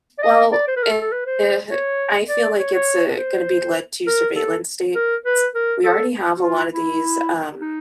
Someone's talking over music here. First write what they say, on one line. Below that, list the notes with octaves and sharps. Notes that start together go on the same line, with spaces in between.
Well, a uh, I feel like it's, uh, gonna be led to surveillance states. We already have a lot of these, um,
D5
D#5
D5
C5
B4
A#4
A4
A4
B4
C5
C#5
D5
C#5
C#5
C5
A#4
A4
A#4
B4
A#4
A4
F#4
F4
E4
D#4